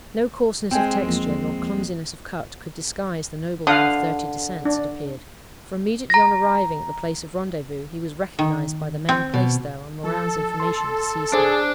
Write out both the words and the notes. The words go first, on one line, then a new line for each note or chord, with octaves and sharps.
No coarseness of texture, nor clumsiness of cut could disguise the nobleman of thirty descents, it appeared; for immediately on arriving at the place of rendezvous, he was recognized by the men placed there on Morin's information to seize him.
G#3 C4 G5 G#5
E2 F3 A#3
D3 F5 F#5 D#6
D4
A#5 A#6
D#3
C4
B2
F3 A4
C6
D4 G#4 C5 D5